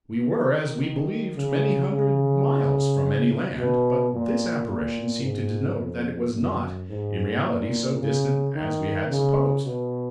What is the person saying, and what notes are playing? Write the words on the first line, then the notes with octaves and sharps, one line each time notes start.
We were, as we believed, many hundred miles from any land; but this apparition seemed to denote that it was not, in reality, so distant as we had supposed.
D#3
D#3
C#3
C#3
B2
A#2
A#2
G#2
F2
F#2
G#2
A#2
C#3
D#3
C#3
B2